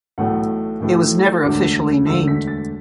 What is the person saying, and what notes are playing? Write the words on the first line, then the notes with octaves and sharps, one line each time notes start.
It was never officially named.
B1 A2 E3 A3 F#5
B1 A2 E3 A3
E1 D2 D3 A3 D6
E1 D2 D3 A3 E6
B6
A6